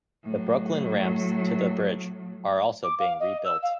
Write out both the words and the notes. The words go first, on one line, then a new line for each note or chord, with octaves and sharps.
The Brooklyn ramps to the bridge are also being rebuilt.
A2 F#3
D6
F5
D#5
E6
F5